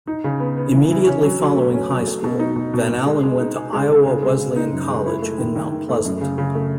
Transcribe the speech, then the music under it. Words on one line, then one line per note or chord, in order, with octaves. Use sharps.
Immediately following high school, Van Allen went to Iowa Wesleyan College in Mount Pleasant.
D#4
C#3
B3
B3
E3
E3
C#4
F#3
F#3
A3
C#4
F#3
A3
B2
D#4
B2
B2
B2
G#3
G#3
D#4
G#4
G#3
C#3
C#3
G#3
C#3
D#4
F#2
G#3
E4
A3
D#3
D#3
D#3
A3
F#2
C#3
C#3
A3